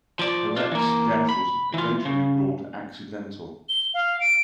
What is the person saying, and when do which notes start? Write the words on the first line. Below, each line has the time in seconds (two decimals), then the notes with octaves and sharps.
Hulette's death was eventually ruled accidental.
0.19 F3 D5
0.57 D4 F4
0.72 E3 A#3
1.29 B5
1.74 E3 F4
2.05 C#3
3.69 G7
3.94 F5
4.20 D7